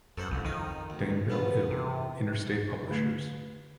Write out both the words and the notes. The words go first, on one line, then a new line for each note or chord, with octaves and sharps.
Danville, Ill.: Interstate Publishers.
F#2 A4 C5 F#5
C2 F2 G#2
F2 D#3 D#4 D#6
D2
E3 B3 F4
C3
D3 A3